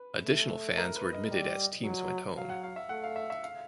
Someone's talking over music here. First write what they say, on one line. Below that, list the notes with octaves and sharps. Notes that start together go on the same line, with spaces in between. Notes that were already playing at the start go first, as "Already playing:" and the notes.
Additional fans were admitted as teams went home.
Already playing: B4
A3
A#4
B4
D#5
G3
F#3
F#3 F5
F#5
F5
E5
A3 F#5
F5
E5
E5
F5